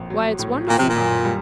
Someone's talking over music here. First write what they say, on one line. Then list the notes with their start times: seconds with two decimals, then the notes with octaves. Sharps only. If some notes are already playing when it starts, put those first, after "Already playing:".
Why, it's wonderful!
Already playing: A#1 A2 C4
0.10 F#3
0.39 A2
0.68 A#2 D#3
0.78 C3
0.88 A#2
0.97 F#2
1.24 G3